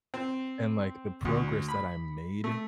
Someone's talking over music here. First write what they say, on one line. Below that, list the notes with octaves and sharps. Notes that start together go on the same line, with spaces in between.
and, like, the progress that I made
C4
D2
B5
A3